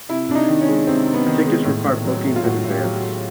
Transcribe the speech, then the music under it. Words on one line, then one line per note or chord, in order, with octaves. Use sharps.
Tickets require bookings in advance.
C3 E4
C3 D4
D#4
D#3
C#4
G#3
C3 C4
C3
B3
D#3
G#3
A2
A2
F#3
A3
F4
A2 F#4
A2
G4
F#3
F#4
A3